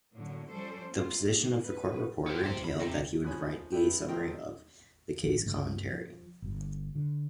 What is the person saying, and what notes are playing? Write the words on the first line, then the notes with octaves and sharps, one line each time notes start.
The position of court reporter entailed that he write a summary-of-the-case commentary.
F#2 A2 D3 F#3 A#3
F3 G3 C#4 A4 C5 D5
A#3 C4 F4
G3 A#3 D#4
D#4 B4
B3 G4
G4 C5
B5
C3
F3 C#5 G#5 B5 D#6 F#6
B3 D4 E4 G5
A3 C4 A#4 D#5 G5
A1 F3
G2 C#3 A3
F3
G1 G2
D3